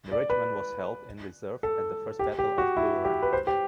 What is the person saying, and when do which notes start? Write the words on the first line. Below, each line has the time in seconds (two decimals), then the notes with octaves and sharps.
The regiment was held in reserve at the First Battle of Bull Run.
0.12 D5
0.30 B4
1.63 A4
2.19 G4
2.39 G4
2.58 F#4
2.77 E4
3.05 G4
3.23 B4
3.33 C5
3.47 G4